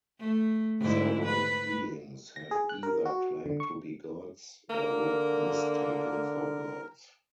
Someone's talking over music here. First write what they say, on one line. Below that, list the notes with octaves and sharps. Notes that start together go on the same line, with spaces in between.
Several beings have either claimed to be gods, or were mistaken for gods.
A3
G#2 D3 E4
B4
A#6
G#4
F#6
A#4
F#4
D3
C#6
D3 A#3 A#4